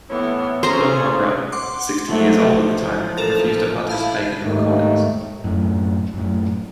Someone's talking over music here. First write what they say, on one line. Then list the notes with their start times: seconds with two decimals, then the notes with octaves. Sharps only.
Bill Monroe, sixty years old at the time, refused to participate in the recordings.
0.10 A2 E3 B3 C#5
0.63 C#3 C#4 G#4 A4 C5 A#5
1.52 F#5 C6 D6
2.08 F3 F#3 A3
2.48 A1
3.17 A4 A#4 A6
3.89 E4 F5 A5 B5
4.46 D#2 G#2 D#3 A3
5.44 F#2 A2
6.14 F#2 A2